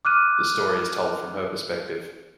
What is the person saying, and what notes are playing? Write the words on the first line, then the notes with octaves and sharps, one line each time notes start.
The story is told from her perspective.
D6 F6 F#6 D#7